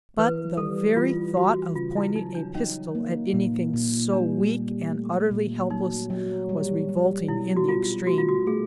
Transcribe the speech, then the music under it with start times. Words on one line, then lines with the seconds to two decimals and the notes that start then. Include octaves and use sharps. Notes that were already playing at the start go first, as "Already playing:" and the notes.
But the very thought of pointing a pistol at anything so weak and utterly helpless was revolting in the extreme.
0.18 E3 B4
0.57 G3 A4
0.97 E3 F4
1.37 E3 F#4
1.75 C#3 F4
1.96 E4
2.16 F#3 D#4
2.35 D4
2.55 C#4 D#4
2.95 A#3
3.33 A#2
3.74 A#2
4.13 G3 D4
4.52 G3
4.91 A3
5.31 A#2
5.70 F#3 D#4
6.10 F#3
6.49 G3
6.89 G3
7.28 B2 E4
7.57 F#4
7.68 G3 F4
8.07 A3 F#4
8.18 F4
8.29 F#4
8.46 A3 G#4